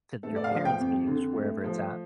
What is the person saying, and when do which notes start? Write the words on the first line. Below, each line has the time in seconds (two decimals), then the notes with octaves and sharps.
to th your parents' age, wherever it's at,
0.23 A3 A4
0.36 D5
0.44 F5
0.51 F3
0.65 G5
0.80 F2
1.07 D3
1.36 A3
1.64 F3